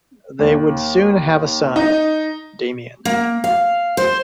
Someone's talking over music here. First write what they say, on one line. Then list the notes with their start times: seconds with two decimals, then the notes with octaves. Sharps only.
They would soon have a son, Damian.
0.39 D#2
1.76 D#4
3.05 A#3
3.44 F5
3.97 C5